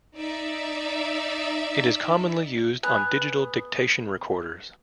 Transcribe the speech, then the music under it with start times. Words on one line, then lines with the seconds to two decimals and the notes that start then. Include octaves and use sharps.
It is commonly used on digital dictation recorders.
0.16 D#4 D5 E5
2.83 B3 G#5 F#6